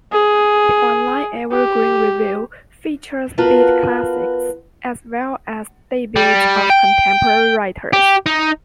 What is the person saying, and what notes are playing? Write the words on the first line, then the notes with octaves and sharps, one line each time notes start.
The online "Evergreen Review" features Beat classics as well as debuts of contemporary writers.
G#4
G4
B3 F4 F#4 A#4 B4 A5
G3
G5
G4
D#4